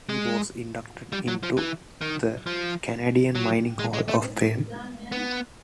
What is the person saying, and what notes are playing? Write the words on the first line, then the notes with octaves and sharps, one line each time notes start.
He was inducted into the Canadian Mining Hall of Fame.
G#3
G3
F#3
F3
E3
D#3
F3
F#3
G#3
G#3
A3
B3